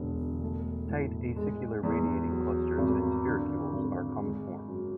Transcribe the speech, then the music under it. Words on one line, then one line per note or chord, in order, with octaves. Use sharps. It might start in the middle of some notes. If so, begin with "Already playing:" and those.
Tight acicular radiating clusters and sphericules are common forms.
Already playing: E1 D3
A3
A2
G#3
E2
F#3
G#1
D3
G#1
G#3
F#2